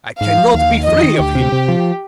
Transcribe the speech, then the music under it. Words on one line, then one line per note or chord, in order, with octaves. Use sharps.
I can not be free of him.
G#2 F5
F3
D#2 F5
D#3
F2 D#5
D#3
D2 G4
C3
C3
F3